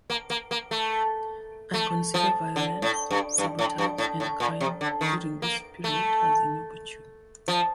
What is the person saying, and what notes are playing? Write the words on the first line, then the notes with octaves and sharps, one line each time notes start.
I consider violence, sabotage, and crime during this period as inopportune.
A#3
A#3
A#3
A3
A3
F3
D3
A2
G2
G2
A2
G2
A2
A2
A#2
C3
D3
D#3
A#3
A3
F3